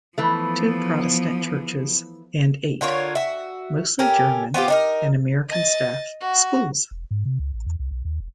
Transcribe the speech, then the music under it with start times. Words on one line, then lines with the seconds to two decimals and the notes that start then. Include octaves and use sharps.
Two Protestant churches and eight, mostly German- and American-staffed, schools.
0.18 E3 F3 A3 B3
2.81 D3 F4 A#4 C#5
3.15 F#4 E5
3.99 C#4 G4 A4 A#4
4.54 B3 C4 F4 G4
4.68 D4 D#4 A#4
5.49 D#5 A6
6.21 F#4
6.91 E1
7.11 G#2
7.25 C3
7.39 C#2
7.53 A1
7.66 E2
7.79 C2
7.91 B1
8.05 D#2
8.20 E1